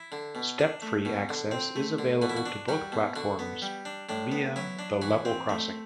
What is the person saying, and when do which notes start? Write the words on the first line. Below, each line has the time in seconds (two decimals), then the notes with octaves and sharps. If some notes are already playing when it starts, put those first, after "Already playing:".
Step-free access is available to both platforms via the level crossing.
Already playing: E4
0.12 D3
0.35 B2
0.59 D4
0.82 A3
1.05 B2
1.29 D3
1.51 C4
1.76 A3
1.99 D3
2.22 B2 F#4
2.30 E4
2.37 F#4
2.46 D4
2.68 G3 F#4
2.92 B2
3.16 D3 F#4
3.39 B3
3.62 G3
3.85 D4
4.09 A2 D4
4.32 B3
4.56 F#3 E4
4.79 D4
5.02 E3 F#4
5.25 C4
5.49 A3